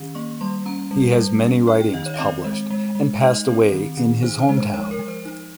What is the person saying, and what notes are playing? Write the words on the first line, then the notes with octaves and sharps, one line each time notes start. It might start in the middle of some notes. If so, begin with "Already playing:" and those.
He has many writings published and passed away in his hometown.
Already playing: D#3 C#4
A#3 C#6
G3 C6
C#4 A#5
G3
G3
C#4
D#4 G5
G5
D#3 D#5
C#5
F5
C4 D#5
G#3
G#3
G#3
D#4 D#5
C4
D#3
D#3
D#4 C5
C5
G#3
C5
F3 C#5
A#4
F3
C5
D#4